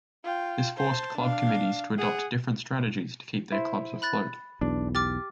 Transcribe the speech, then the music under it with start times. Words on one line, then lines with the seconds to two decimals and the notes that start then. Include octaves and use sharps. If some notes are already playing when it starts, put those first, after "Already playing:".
This forced club committees to adopt different strategies to keep their clubs afloat.
0.24 F4 G5
0.77 C5 A5
1.18 D4 F5
1.98 G#4 F#5
3.52 E4 C5
4.02 B5 F#6 A6
4.61 B1 E2 D4
4.95 G4 D6 F6 A6